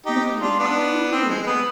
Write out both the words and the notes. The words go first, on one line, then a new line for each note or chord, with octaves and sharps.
"Mine, all mine!"
D#4 G4
D4 F4
B3 D4
C4
G#3
G#3
B3